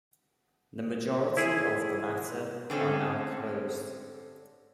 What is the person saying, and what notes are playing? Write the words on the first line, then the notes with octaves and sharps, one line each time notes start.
The majority of the latter are now closed.
E4 G#4
D3 C4 C#4 A4